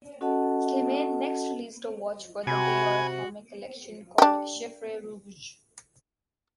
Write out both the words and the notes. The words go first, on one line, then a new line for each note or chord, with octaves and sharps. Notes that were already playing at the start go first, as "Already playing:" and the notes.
Slimane next released a watch for the Dior Homme collection called Chiffre Rouge.
C#4 F#4 A4 D#5 F#5 A5
C3 F#4 G#5 B5
D4 G4